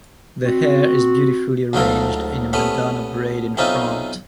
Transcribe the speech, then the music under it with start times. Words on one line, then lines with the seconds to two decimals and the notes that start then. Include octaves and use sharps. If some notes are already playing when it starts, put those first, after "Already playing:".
The hair is beautifully arranged in a Madonna braid in front.
0.44 C4 F#4
1.73 D2 G#2 F#3 A3 F4 A4
2.53 C2 A3 B3 C#4 B5
3.57 B1 C4 C#4 D#4 F4 E5